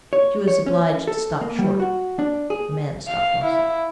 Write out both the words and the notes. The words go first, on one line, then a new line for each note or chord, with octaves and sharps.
She was obliged to stop short: the man stopped also.
C#5
C#5
C#4
A4
A#3
G3
F#4
D4
G#4
F5
E4